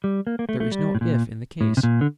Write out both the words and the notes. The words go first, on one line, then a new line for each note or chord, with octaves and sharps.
'There is no "if" in the case.
G3
A#3
A#3
A3
A3
G3
A2
A#2
A2
C3
A#2
D3